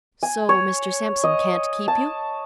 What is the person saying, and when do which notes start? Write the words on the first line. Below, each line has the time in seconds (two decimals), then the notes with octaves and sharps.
"So Mr. Sampson can't keep you?"
0.23 G#5
0.49 C#5
1.24 D#5
1.88 A5